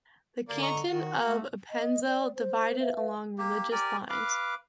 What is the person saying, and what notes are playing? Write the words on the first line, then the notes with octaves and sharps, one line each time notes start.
The canton of Appenzell divided along religious lines.
D3 A#3 D5
D#5 A#5 C#6
D#3 F#4
A3
D#5
D5
C5
B4 E5 F5
A#3 G4
G4 A#4 D5 G#5
B4 F5 D6